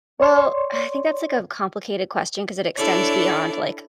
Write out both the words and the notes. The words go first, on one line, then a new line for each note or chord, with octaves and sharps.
Well, I think that's, like, a complicated question 'cause it extends beyond, like,
C#5 D5 C6 C#6
D4 E4 A4 C#5 D5